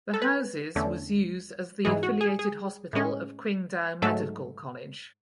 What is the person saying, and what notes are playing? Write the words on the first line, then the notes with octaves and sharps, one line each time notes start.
The houses was used as the Affiliated Hospital of Qingdao Medical College.
A4
B4
E2 D3 A3 C#4
G#2 E3 G#3 G#4
F#4
G#4
G#4
A2 G#3 C#4
G#2 F#3 A3 A4